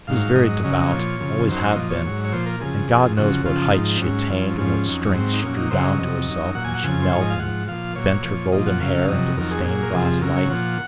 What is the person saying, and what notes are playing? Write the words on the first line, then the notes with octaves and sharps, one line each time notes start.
She was very devout, always had been, and God knows what heights she attained and what strength she drew down to herself when she knelt and bent her golden hair into the stained-glass light.
G#2 D#3 F#3 F5
G#2 F#3 D#5
F#2 C#3 F#3 D#5
A#2 F3 C#5
F#2 C#3 F3
F#2 D#3 F#3 C5
A#2 F3 D#5
C#5
G#2 F#3
C#5
A#2 F3 C5
A#4
F#2 C#3 F3 G#4
F#2 F3
F#2 C#3 F3 F#4
F#2 C#3 F3 F4
G#2 F3 D#4
C4
G#2 F#3 C#4
F#2 F3
G#2 F3 C#4
F2 D#3 F#3
G#2 F#3 C4
D#4
A#2 F#3 C#4
D#4
F#2 C#3 F#3 C5
D#5
F2 C3 F#3 D#5
F#2 D#3 F#3
A#2 F#3 F#5
G#5
F#5
F#2 C#3 F3 G#5
C5
G#2 F3 C#5
D#5
F5
G#2 F3 F#5
A#2 F3 F5
A#2 F#3 C#5
A#2 F3
A#2 F3 D#5
F#5
F#2 C#3 F#3 F5
F2 C3 F#3 D#5
F2 D#3 F#3 A#4
G#4
A#2 F#3 G#4
A#4
F2 C3 F3 G#4
F#2 C#3 F#3 A#4
C#5
A#2 F3 F#5